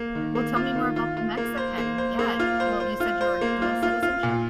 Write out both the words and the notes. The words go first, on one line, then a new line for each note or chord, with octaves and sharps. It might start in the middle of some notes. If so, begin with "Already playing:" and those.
Well, tell me more about the Mexican yeah, well, you said you're a dual citizenship?
Already playing: A#3
D#3
A#3
F4
D#3
F4
F4
A#3
C5
A#3
C5
A#3
F4
C5
C5
F4
C5
A#3
F4
F4
F4
A#2